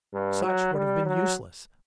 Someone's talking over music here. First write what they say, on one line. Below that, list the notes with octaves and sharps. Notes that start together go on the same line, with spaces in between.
Such would have been useless.
G2
F#3
G3
F#3